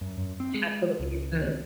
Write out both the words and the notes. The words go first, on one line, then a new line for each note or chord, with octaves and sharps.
you have to look at your phone?
F#2
F#2
C4
G#3
C#2